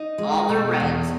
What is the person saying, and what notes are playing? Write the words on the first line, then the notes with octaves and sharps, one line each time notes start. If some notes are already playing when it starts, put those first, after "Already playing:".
all their rent,
Already playing: D#4
G#3
B2
E2